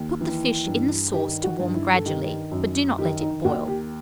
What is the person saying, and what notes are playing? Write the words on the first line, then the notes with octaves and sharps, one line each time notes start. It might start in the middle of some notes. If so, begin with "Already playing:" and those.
Put the fish in the sauce to warm gradually, but do not let it boil.
Already playing: D#2 D#3
E3
G2
D#3 G4
F#4
G2
E4
A4
D#3 G4
F#2
D#3 G4
D#4
D#2 F#4
G4